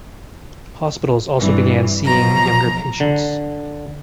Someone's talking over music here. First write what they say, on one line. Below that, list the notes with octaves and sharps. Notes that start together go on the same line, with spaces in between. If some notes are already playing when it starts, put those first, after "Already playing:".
Hospitals also began seeing younger patients.
G2 C3 E3
B2 F3 F#3 A#5
D3